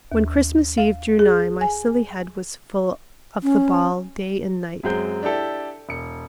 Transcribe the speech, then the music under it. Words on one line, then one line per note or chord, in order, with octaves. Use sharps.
When Christmas Eve drew nigh my silly head was full of the ball day and night.
D#2
F5
G#4
G#5
C#4
F#2 F#3 G#3 C4 G6
D4 E4 G4 A4
E1 C#7